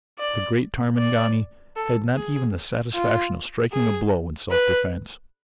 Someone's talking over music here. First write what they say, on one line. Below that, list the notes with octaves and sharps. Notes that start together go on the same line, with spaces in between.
The great Tarmangani had not even the satisfaction of striking a blow in self-defense.
D5
D5
A4
G#4
F4
G#4
B4